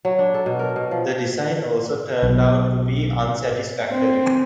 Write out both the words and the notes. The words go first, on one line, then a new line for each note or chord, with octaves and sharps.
The design also turned out to be unsatisfactory.
F#3
D4
A4
B2
A#4
B2
F3
B1
C4